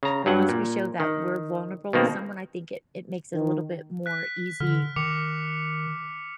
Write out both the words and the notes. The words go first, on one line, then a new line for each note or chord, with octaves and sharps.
but once we show that we're vulnerable with someone, I think it it makes it a little bit more easy
C#3 A#5
G2 F#3 F#5
A#2
D#3
B2 D#3 A#3 C4
D#3
F#6 B6
D3 F6
D#3 D6 C#7 F7